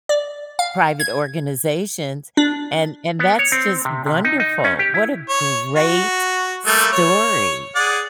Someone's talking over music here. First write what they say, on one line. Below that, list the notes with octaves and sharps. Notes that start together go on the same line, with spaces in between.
private organizations, and and that's just wonderful. What a great story.
D5
F5
G#6
D4
B3
C#5
C4
C3
C3
D#4
D#4
C#4
G4
E4
C#5
F#4
G3 A3 A#3
C#5
G#4 D5 F#5